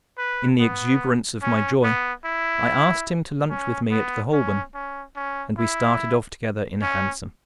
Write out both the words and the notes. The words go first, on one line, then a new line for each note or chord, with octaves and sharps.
In the exuberance of my joy, I asked him to lunch with me at the Holborn, and we started off together in a hansom.
B4
B3
C#4
B3
E4
C#4
B3
C#4
C#4
C#4
E4
C#4